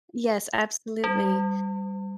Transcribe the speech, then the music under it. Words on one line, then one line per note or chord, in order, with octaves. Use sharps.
yes, absolutely.
G3